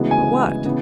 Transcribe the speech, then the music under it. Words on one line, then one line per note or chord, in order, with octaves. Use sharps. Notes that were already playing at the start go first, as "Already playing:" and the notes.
But what?
Already playing: D2 C#3 E3 G#3 B3
G#5
C#3 E3 B3